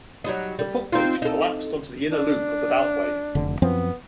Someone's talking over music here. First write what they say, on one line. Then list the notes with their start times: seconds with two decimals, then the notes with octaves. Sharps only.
The footbridge collapsed onto the inner loop of the Beltway.
0.24 F#3 G3 D#4
0.59 G3
0.92 C4 D#4 F4
1.22 D#4 A4
2.11 D4
3.35 F1 D3
3.62 F#2 F3 B3 C4